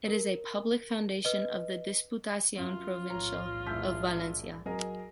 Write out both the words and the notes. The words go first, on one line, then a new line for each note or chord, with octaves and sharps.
It is a public foundation of the Diputación Provincial of Valencia.
A#4
B4 D#5
F#2 F4
B1 E2 A2 C#5 A#5
E1 E4 E6 G6 B6
F#3 G#4 A#4 D#5